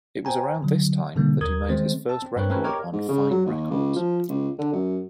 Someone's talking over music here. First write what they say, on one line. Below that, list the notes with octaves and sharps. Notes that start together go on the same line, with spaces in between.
It was around this time that he made his first record on Fine Records.
C5 G5 G#5 A#5
D3 F#3
B2 D3 G3 A#3 C4
D#2 A#4 D#6 G#6
D#3 G#3 C4 C5
A5 E6
C4
G2 C4 A#4 B4 C#5 F#6
A3 C4 C#4 A#4 B4 C#5
G4 A#4 C#5 D#5 G5 D6
G#2
C#3
F#3
D#2
C#2
F3
C#2
D3
F#2